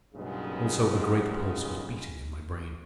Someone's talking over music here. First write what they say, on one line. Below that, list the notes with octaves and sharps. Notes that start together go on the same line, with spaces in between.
Also, a great pulse was beating in my brain.
B1 G2 A#2 C#3 G#3 B3